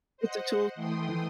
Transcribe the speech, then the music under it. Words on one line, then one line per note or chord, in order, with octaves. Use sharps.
It's a tool, mm
C5 D#5 F#5
E3 A3 G5 C6 D#6